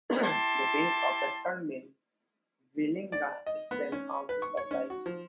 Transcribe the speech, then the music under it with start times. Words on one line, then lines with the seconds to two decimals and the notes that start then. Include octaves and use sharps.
The base of a third mill, "Wielinga-stam" also survives.
0.22 E4 G4 A5 C6
3.12 D5
3.46 D#5
3.71 B3
3.92 C#4
4.29 B4
4.42 C#6
4.57 C#5
4.71 C#4
4.90 F#4
5.06 F3